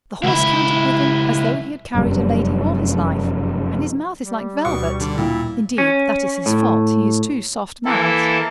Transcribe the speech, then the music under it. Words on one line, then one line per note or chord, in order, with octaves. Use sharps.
"The horse cantered with him as though he had carried a lady all his life, and his mouth is like velvet; indeed, that is his fault--he is too soft-mouthed."
C#2 E4
F1 F#2 C3 G3
G3
D2 B2 F#4 C#6
D3
A#2 G3 E4
C#4
A2
E3 A#3 E4 A4